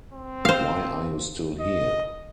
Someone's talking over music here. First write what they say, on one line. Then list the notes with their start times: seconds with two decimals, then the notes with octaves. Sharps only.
Why are you still here?
0.13 C4
0.45 C5 F5
1.60 D#5